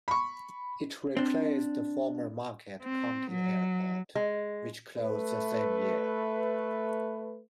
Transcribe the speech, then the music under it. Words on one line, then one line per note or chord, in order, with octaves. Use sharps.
It replaced the former Marquette County Airport which closed the same year.
B5 C#6
C4 D4
C4
F#3
G#3
A3 B4